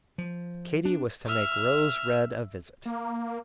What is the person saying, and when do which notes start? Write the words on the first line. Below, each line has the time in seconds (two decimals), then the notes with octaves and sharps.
Katy was to make Rose Red a visit.
0.18 F3
0.85 D4
1.26 E5 F6
2.86 A#3